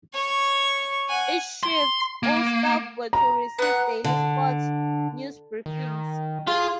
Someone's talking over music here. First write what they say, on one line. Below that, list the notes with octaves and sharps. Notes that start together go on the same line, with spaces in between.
Each shift, all staff were to receive daily sports news briefings.
C#5 C#6
F#5 G#5
C6
A#3
A#5
B3 F#5
D3
D#3
F4 G#4